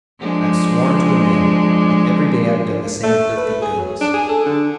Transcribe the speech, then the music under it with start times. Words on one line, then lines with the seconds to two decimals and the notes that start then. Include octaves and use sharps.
I've sworn to amend, and every day I've done the same filthy things.
0.19 F3 G#3 D4
3.03 A3
3.37 B4
3.62 G#4
3.78 F#3
4.01 D4
4.13 G#4
4.28 A4
4.46 D3